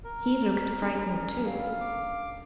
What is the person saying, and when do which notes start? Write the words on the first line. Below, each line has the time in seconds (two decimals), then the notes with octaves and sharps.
"He looked frightened too."
0.04 A#4
0.82 C#4 D4 G#4
1.46 F#3 G3 A4 F5
1.81 D6